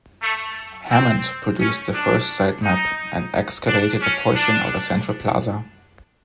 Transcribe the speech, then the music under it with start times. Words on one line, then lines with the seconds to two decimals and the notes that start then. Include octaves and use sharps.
Hammond produced the first site map and excavated a portion of the central plaza.
0.22 A3
0.91 C4
1.59 C#4
1.94 D4
2.63 D#4
3.66 D4
4.01 C#4
4.35 D4